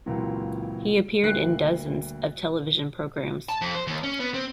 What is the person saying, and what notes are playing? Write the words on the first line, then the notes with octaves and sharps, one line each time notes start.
He appeared in dozens of television programs.
C#2 A#2 E3 F#3 C4
D2 D3 G3 A#3 F#6 C7
A5
F2
C5
D#2
C#4
B3
C4